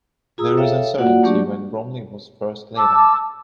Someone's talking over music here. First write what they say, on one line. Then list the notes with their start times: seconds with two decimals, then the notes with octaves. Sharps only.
There is uncertainty when Brumley was first laid out.
0.38 F4 G#4 A#5 D#6 E6
0.57 A4 C#5 E5 F5 G5
0.98 A#3 F4 F#4 D5 F#5
1.23 F#3 A3 D4 G4 D5 C#6
2.77 A5 D6 E6